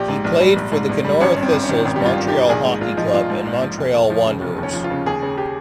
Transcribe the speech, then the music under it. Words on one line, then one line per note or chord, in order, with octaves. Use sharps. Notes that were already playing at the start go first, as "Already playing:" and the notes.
He played for the Kenora Thistles, Montreal Hockey Club, and Montreal Wanderers.
Already playing: A#1 G4
G#2
A#1
G3
A#1
G#2
A#1
G3
G#1 C#4
G2
C4
G#1
C#4
D#3
G#1
G2 G4
F4
G#1
D#3 G4
A#1 G#4
G#2
A#1 F4
F3 D#4
A#1 F4
G#2
A#1
F3
F1
D#2
F3
C#3
F1
D#2
C#4
F3
F4
C#3
D#2 G#4
C#3
G4